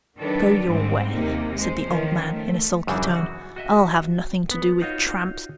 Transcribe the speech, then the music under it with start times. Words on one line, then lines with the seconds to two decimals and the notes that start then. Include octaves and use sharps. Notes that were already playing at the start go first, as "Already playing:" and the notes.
'Go your way,' said the old man in a sulky tone, 'I'll have nothing to do with tramps.
0.17 D#3 F#3 D4 A4 B4
0.66 G#2 G3 G#3 C4
1.11 D#2 C3 A#3 D#4
1.55 G#3 C5
1.85 D#3 F3 C#4
2.30 A3
2.87 F#2 C#3 E3 G3 D4 F#4
3.15 F#4
3.56 F#4 D#5 E5
4.51 B3
4.82 D#4 F4 F#4 C#5 D#5